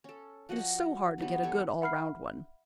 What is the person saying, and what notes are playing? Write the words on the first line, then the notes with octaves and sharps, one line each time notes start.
It is so hard to get a good all-round one.
C#4 A4
F3 F#4 D#5 F#5
E3 F#3 G3 B3
B3 G4 A4 C#5
E5 F#5 B5 F6 C7